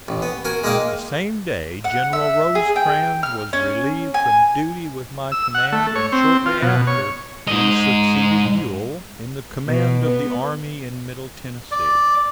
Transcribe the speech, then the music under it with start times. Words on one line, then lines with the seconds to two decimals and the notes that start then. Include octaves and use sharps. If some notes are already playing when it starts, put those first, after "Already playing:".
The same day General Rosecrans was relieved from duty with my command, and shortly after he succeeded Buell in the command of the army in Middle Tennessee.
0.08 A1
0.22 B3
0.45 F#4 A#4 G#5
0.64 G#3 A#3 D#4 D#5 F5 G5
1.84 F#5
2.13 E5
2.55 G#4
2.76 G5
3.23 F6
3.53 C#4
4.14 G#5
5.32 E6
5.55 F#5
5.72 A3
5.95 C#5
6.12 C4
6.46 F4
6.62 B2
6.87 C#5
7.48 G#2 D#5
9.67 B2
10.06 B3
11.71 D5